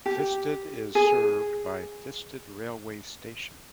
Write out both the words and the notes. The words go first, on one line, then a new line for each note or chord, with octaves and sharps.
Thisted is served by Thisted railway station.
G4
G#4